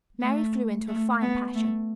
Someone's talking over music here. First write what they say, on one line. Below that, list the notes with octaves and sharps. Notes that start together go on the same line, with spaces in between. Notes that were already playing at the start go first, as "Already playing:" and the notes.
Mary flew into a fine passion.
A3
A3
B3
A3